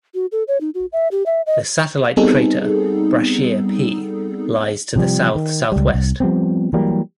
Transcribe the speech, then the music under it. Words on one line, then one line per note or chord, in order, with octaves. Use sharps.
The satellite crater Brashear P lies to the south-southwest.
F#4
A4
C#5
D#4
F#4
E5
G4
E5
D#5
G3 B3 C4 D#4 G#4 A4
C3 F3 G3
D#3
C#2 G3
C2
F3 G3 B3 C4
E3 F#3 G3 A#3